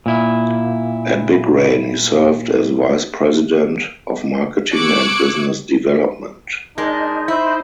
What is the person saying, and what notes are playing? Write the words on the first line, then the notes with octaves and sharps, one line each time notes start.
At Big Rain, he served as Vice President of Marketing and Business Development.
A#2 E4
C#6 D6 E6 F#6 G#6 C#7
G#3 D4 D#4 A#4
E4 C5